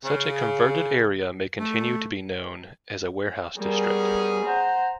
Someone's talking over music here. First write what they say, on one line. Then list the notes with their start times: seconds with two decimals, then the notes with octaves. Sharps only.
Such a converted area may continue to be known as a warehouse district.
0.03 C#3
1.57 A3
3.58 G3 B3 C#4 G#4 A#4
4.45 C5 F#5 A#5